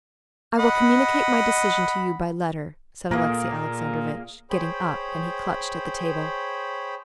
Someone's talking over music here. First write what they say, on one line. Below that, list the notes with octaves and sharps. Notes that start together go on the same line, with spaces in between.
"I will communicate my decision to you by letter," said Alexey Alexandrovitch, getting up, and he clutched at the table.
D#5 F#5 B5
A#2 A#3 G#4 A#4
G#4 C5 C#5 G5 B5